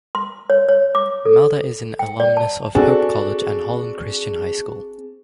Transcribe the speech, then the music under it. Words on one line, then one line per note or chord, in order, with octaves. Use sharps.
Malda is an alumnus of Hope College and Holland Christian High School.
C6
C#5
C#5
D6
A4
G5
D5
A5
C4 D4 F#4 G#4 A4